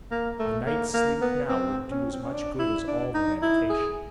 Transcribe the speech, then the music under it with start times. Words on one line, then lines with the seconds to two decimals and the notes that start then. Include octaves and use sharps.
A night's sleep now would do as much good as all the medication.
0.11 A#3
0.39 A3
0.67 A#3
0.94 A#3
1.22 B3
1.49 C4
1.91 C#4
2.13 C4
2.23 C#4
2.33 D4
2.59 E4
2.88 D4
3.14 D#4
3.42 E4
3.70 G#4